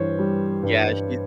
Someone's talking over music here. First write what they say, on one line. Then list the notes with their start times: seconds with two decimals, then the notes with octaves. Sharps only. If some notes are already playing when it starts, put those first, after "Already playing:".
yeah, she
Already playing: G2 E3 C5 C#5
0.19 G3
0.63 G2